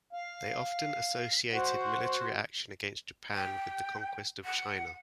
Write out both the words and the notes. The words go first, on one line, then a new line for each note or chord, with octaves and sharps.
They often associated military action against Japan with the conquest of China.
F5
F#4 C5 F#5
G5
F#5